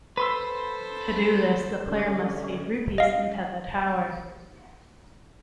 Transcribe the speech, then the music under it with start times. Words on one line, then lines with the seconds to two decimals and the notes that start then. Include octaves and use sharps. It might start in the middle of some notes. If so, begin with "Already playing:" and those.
To do this, the player must feed Rupees into the tower.
0.17 A4 B4 C5 C6 E6
1.88 D3 G3 C#4
2.98 D#5 F5